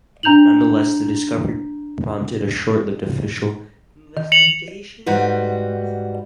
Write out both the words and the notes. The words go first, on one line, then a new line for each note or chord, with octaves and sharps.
Nonetheless, the discovery prompted a short-lived official investigation.
D4 A#5 G6 F7 F#7
D#3
C#7 F7 F#7
G#2 G3 F#4 B4